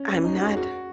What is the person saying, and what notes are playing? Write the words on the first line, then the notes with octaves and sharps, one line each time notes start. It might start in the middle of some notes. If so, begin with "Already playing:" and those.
I I'm not
Already playing: C#4
C#4
D#4
F#4
G#4
F#4